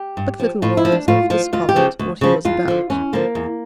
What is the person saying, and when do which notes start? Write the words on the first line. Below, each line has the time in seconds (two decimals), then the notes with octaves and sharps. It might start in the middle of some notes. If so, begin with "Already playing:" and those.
But little Woronzow discovered what he was about.
Already playing: G4
0.17 G2
0.40 F3
0.62 A2 F4
0.77 E4
0.85 F3
0.92 D4
1.08 A2 F4
1.30 F3 F4
1.53 D2 F4
1.69 G4
1.76 C#3 F3
1.99 D2
2.21 C#3 F3
2.45 E2 F4
2.68 D3 F3
2.90 E2 C#4
3.13 D3 F3 A#3
3.35 E2